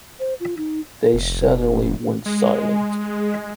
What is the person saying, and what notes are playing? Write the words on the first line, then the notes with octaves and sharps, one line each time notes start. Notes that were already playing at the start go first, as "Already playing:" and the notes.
They suddenly went silent.
C5
F4
D#4
F1
G#3